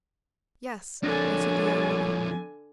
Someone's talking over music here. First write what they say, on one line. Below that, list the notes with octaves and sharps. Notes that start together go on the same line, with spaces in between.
"Yes," answered the young woman.
F2 D3 B3 D4 A#4 C#5 G#5